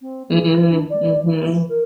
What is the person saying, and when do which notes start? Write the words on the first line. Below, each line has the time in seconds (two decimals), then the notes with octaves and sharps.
Mhm, mhm.
0.02 C4
0.32 G#4
0.49 B4
0.70 D4
0.90 D5
1.22 E3
1.69 A#4